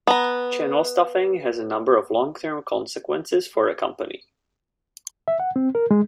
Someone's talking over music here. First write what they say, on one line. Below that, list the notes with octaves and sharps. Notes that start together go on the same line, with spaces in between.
Channel stuffing has a number of long-term consequences for a company.
B3 A#5
E5
F#5
C4
A#4
G#3